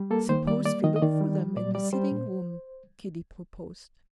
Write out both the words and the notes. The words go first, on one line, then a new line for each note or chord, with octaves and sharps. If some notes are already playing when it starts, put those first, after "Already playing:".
"Suppose we look for them in the sitting-room?" Kitty proposed.
Already playing: G3
A#3 A4
D#3 C5
G3 D5
A#3 D5
D#3 D#5
D#5
D#3 D5
G3
G3
A#2 D5
G3 D5
G3 C5
A#2